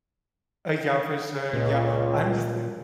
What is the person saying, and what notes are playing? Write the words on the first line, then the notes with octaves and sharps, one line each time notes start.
Uh, yeah, for sure. Yeah, I'm just li
C#2 A#2